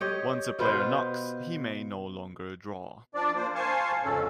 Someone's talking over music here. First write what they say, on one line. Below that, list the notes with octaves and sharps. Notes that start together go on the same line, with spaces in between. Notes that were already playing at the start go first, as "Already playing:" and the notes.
Once a player knocks, he may no longer draw.
G4 C#5 D#5
B2 F4 B4 C5
F3 D4 D5
A#3 C5
C5 F5 G#5 A5 C6 C#6
F2 G#2 C#3 C#4 A4